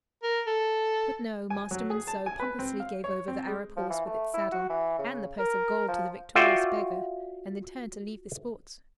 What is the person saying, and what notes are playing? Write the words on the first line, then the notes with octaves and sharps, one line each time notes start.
But, no--Master Monceux pompously gave over the Arab horse with its saddle, and the purse of gold to the victorious beggar; and then turned to leave the sports.
A#4
A4
G#5
F#3
G#4
A5
G#5
B4
C4
F5
C#5
C4
G#3
F3
E3
A3
E4
F#4
E3
C#3
A#4
F3
F4 F#4 D5 E5 G5